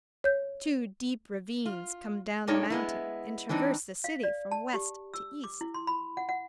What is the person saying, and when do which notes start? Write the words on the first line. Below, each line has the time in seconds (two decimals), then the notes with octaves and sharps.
Two deep ravines come down the mountain, and traverse the city from west to east.
0.24 C#5 G6
1.66 F4
2.47 A#2 G3 A3 D4 D#4 C#5
2.70 G#3 B3 E4
3.49 E3 C4 D4 D#4
4.04 F5
4.23 D5
4.51 A5
4.74 G4
5.14 E6
5.44 D6
5.61 E4
5.74 C6
5.87 B5
6.17 F#5
6.29 F#5